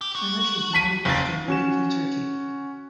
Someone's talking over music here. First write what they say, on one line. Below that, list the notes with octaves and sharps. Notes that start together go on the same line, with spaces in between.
Turmish is modeled after medieval Turkey.
G4
F#4
A5 B6 D#7
F#1 C4 A6
C#4 F#4 E7